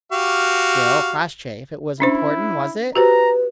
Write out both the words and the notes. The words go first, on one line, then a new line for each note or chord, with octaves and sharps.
"Still, Crossjay, if it was important--was it?"
F#4 G4 F5
C#4 D4 E4 C5
F#4 G4 B4 C5 A#5